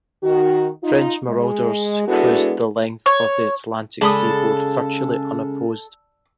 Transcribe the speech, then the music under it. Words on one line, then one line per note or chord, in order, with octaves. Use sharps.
French marauders cruised the length of the Atlantic seaboard virtually unopposed.
D#3 F#4
D#4 F4
G#3
G#3 B3 D4 E4 F#4 A4
C#5
C#3 G#3 A4 D5 B5 D#6